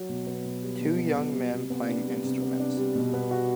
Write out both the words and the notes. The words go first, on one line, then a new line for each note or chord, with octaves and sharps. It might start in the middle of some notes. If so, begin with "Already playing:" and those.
Two young men playing instruments.
Already playing: F#3
B2
B3
B2
G3
B2
B3
B2
G3
C3
B3
D4
G3
C3
B3
D4
G3
B2
B3
F#4